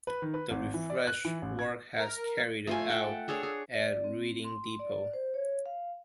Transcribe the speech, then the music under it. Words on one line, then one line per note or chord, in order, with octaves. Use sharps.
The refresh work was carried out at Reading Depot.
B4
D#3
B4
G#1
E3
D5
F#6
E3
A1
G#6
A#4
A3 F4 G#5
F#5 G5 A5
D4 G#4 A4 C#5
G#4
D5
C4
C6
D5
C5
C#5
F5